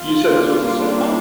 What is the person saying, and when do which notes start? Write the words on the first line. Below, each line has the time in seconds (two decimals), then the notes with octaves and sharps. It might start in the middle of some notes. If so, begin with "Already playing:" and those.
You said this was a sitcom?
Already playing: F4
0.27 G3 A#3 D4